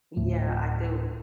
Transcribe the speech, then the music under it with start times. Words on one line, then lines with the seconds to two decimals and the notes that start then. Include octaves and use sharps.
Yeah, I do.
0.17 D1 A2